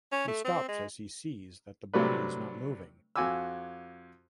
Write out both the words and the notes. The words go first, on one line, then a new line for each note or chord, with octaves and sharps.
He stops as he sees that the body is not moving.
C#4
A3
C4
G#3
C3 F#3 G3 A3 D4 B4
F2 F#4 G#5 D6 E6